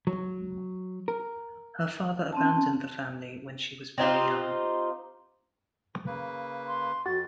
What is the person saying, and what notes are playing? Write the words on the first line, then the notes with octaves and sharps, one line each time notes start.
Her father abandoned the family when she was very young.
F#3
A#4
C4 C#4 A5
C4 D#4 F4 G4
C#3 A#3 B4
C6
F2 F#4 A6